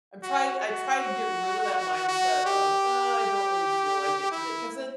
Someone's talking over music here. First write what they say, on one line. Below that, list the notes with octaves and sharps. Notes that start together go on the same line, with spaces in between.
I'm try I try to get rid of that mindset of, "uh, I don't really feel like it today" 'cause then
F#4
F#4
F#4
G4
E4